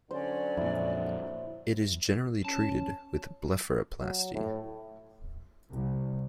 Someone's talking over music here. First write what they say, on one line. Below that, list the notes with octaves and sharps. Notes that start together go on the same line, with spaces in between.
It is generally treated with blepharoplasty.
D3 F#3 C#4 C5 D5
F2 A#2 E4
C#4 A5
F#3
A2
C2